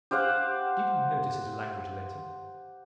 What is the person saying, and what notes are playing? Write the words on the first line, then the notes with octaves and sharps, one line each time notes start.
Did you notice his language, Linton?
G4 C5 F5 F#5